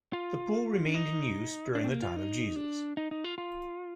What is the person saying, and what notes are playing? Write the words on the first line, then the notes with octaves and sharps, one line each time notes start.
The pool remained in use during the time of Jesus.
F4
D4
D#4
D4
C4
A#3
F4
D#4
D4
D#4
D#4
F4
F4